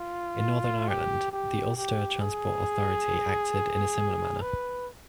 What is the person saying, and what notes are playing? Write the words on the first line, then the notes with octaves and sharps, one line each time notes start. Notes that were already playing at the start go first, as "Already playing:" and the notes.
In Northern Ireland, the Ulster Transport Authority acted in a similar manner.
Already playing: F4
G4
G4
G4
G#4
B4